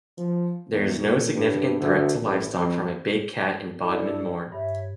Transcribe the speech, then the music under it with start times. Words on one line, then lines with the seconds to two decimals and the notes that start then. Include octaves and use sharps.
There is no significant threat to livestock from a 'big cat' in Bodmin Moor.
0.18 F3
0.73 E2
1.02 A#2
1.32 G2
1.79 D2
2.22 A1
2.54 F2
3.80 E4 A4 D5
4.52 G2 C#5 E5